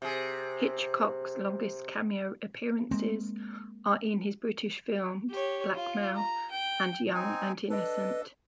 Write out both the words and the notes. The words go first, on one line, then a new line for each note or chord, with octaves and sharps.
Hitchcock's longest cameo appearances are in his British films "Blackmail" and "Young and Innocent".
C3 G#4
G#3 A#3 C4
G4 C#5
F4
A#5
G5
C4 D#4 G#5
D4 A4 B4 D#5